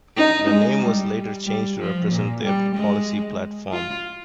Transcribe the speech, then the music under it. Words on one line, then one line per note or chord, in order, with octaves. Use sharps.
The name was later changed to represent their policy platform.
D#4
G#3
G3
G3
F3
A#2
G3
G#3
F4